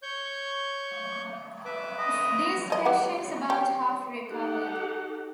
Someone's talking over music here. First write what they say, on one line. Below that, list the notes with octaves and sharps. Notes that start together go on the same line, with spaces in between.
Of these patients about half recovered.
C#5 C#6 G6
B4 E5 D6
D#5
A3 D#5
G4 B4 F#5
G4
D#4 G4 A4 F#5